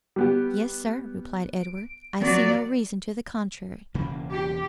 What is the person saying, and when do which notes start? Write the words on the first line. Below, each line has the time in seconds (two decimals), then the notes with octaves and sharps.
"Yes, sir," replied Edward; "I see no reason to the contrary."
0.16 G3 B3 G4
1.60 D7
2.21 F3 F#3 A#3 C4 D5
3.94 E1 C#3 A#3
4.31 G4